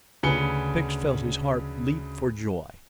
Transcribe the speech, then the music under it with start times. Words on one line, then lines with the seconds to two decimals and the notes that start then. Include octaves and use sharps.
Fix felt his heart leap for joy.
0.23 D2 C#3 B4 G#5 C#7 G7